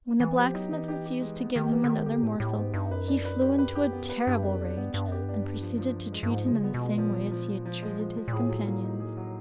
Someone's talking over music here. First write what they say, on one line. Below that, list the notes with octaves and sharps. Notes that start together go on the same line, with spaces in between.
When the blacksmith refused to give him another morsel, he flew into a terrible rage, and proceeded to treat him in the same way as he had treated his companions.
E3 B3
F3 G4
F#3 D#4
E3 D#4
G4
G4
G#3
B3
D#3 G4
E3 B3
D3
D#3 G4
D3 G4
A2 G4
A2 G4
G#2 B3
G2 D#4
F#2 B4
D4
B4
G4
B4
G4
B3
B4
G2 G4
F#2 D4
F2 D4
G2 B3
G2 B3
F#2 G4
G2
D4
D4
F3
F3
F3
G#3
G2
G#2 F3
G#3
C#3
B3
B2
G#3
A#2 F3
F3
F3
F3
F3
G#3
F3
F3
A#2
A2 G#4
F#3
A#3
D#4
G#4
F#3